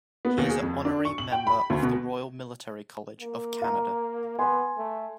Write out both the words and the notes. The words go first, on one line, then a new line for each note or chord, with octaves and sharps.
He is an honorary member of the Royal Military College of Canada.
B3
D#2
G#4
F2
D4
C#6
F#7
G5
B5
D2
B2
A#3
F5 A#5
B3 G#5 C6
A3